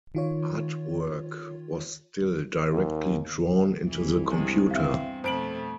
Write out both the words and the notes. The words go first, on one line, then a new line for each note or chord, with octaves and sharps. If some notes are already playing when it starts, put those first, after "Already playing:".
Artwork was still directly drawn into the computer.
D#3 F4 C#5
D#2
C2 E3
E2 G2 G#3
C4 E5 F5
F2 B2 A3 C5 D7 F#7